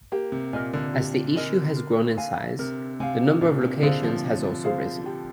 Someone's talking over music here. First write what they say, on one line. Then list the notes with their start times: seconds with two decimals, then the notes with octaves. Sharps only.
As the issue has grown in size, the number of locations has also risen.
0.12 A#3 G4
0.32 C3
0.53 A#2 A#4 D#5 G#5
0.74 D3
0.94 G4
1.36 A#4 D#5 G#5
1.76 A#4
2.17 F5 G#5
2.59 C3 A#4
3.00 C3 F5 G#5
3.41 A#2 D4
3.61 C3
3.83 D3 G#4 C5 F5
4.03 F3
4.24 D4
4.64 G#4 C5 F5
5.06 G4